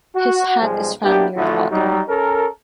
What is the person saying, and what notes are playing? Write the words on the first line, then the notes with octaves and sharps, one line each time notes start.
His hat is found near the body.
F#4
B1 F3 G3 G#3
A#3 B3 D4 E4 G4
A1 D3 F3 A3 E4 F#4
F#3 G3 D#4
C#4 A4 A#4